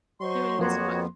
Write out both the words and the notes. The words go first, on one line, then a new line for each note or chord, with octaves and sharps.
doing this much.
F#3 C5 D#5 C6 C#6
F2 F3 A#3 B3 F#4 C#5 C6